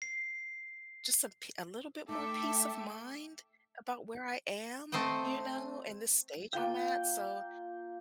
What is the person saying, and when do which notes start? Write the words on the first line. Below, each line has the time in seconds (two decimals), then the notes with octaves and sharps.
just a p a little bit more peace of mind about where I am, you know, in this stage I'm at, so,
0.02 C7
2.09 A3 D#4 A4 E5 G5 D6
4.92 A3 C4 C5 D#5 G5
6.53 A#3 F4 G5